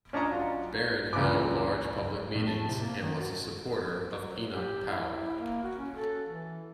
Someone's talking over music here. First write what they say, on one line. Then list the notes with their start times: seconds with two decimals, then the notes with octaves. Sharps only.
Baron held large public meetings and was a supporter of Enoch Powell.
0.13 C#4 D4 C#5 D#5 A#5
0.31 F#3 F4
1.13 C#2 A#2 C#3 E3 B4 D6
2.35 A2
2.47 A5
2.69 C3
2.80 A#3
3.03 D#3
3.17 F#4
4.15 F#3
4.51 G4
4.88 E4
5.36 A#3
5.63 F#4
5.78 C#4
5.95 A4
6.26 E3